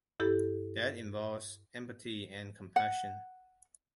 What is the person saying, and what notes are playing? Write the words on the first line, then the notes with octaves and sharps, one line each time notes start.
That involves empathy and compassion.
G2 E4 G4 A4
F#5